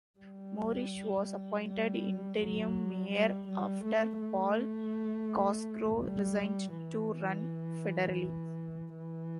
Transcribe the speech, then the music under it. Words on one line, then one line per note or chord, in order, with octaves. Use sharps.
Morrish was appointed interim mayor after Paul Cosgrove resigned to run federally.
G3
G3
F#3
G3
G3
A3
A3
G3
E3
E3